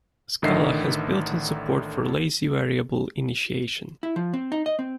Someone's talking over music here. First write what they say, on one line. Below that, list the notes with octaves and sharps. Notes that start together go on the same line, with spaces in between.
Scala has built-in support for lazy variable initiation.
A1 D3 D#3 D#5 E5 C7
E4
F3
C4
D#4
D#5
C4